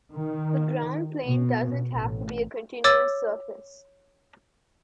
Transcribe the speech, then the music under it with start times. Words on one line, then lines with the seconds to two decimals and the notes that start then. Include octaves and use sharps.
The ground plane doesn't have to be a continuous surface.
0.14 D#3
1.28 B2
1.92 A1
2.84 C#5 D6 E6 A6